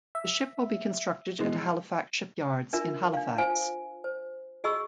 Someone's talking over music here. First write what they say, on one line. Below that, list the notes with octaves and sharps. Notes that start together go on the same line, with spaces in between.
The ship will be constructed at Halifax Shipyards in Halifax.
E5
B2 E3 G#3
D4 F4 A#4 E5
D4 F5
F4 C5 F5 G#5
C5
F#4 G#4 D#5 B5 C#6 E6